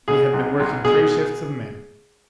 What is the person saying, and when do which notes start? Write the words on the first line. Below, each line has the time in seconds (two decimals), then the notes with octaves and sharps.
He had been working three shifts of men.
0.08 B2 G#4
0.34 B1
0.60 B1
0.84 B2 G#4